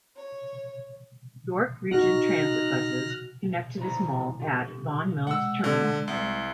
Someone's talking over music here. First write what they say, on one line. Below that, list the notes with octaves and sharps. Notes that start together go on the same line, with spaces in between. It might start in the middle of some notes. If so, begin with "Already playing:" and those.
York Region Transit buses connect to this mall at Vaughan Mills Terminal.
C#5
D#4 F#4 F6 F#6 A#6
F2 E3 A#5
F4 G4
G#3 F#5 E6
D3
C2